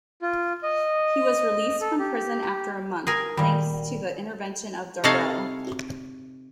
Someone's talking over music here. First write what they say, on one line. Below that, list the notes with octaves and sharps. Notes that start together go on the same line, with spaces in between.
He was released from prison after a month, thanks to the intervention of Darboux.
F4
D#5
A4
G4
G#4 A#4 G#5
A#2 D#3 G3
C3 D#4 A4 C#5 F5 A5